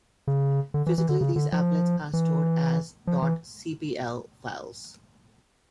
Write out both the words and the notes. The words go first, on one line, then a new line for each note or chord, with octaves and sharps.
Physically, these applets are stored as ".cpl" files.
C#3
D3
E3
E3
D3
C#3
D3
F3
E3
F3
E3